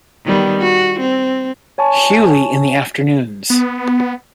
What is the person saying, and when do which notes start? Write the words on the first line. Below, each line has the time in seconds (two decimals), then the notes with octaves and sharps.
Hughley in the Afternoons.
0.25 D#3 G3 B3
0.60 F#4
1.00 C4
1.78 C#5 G#5 A5 C#6
3.50 B3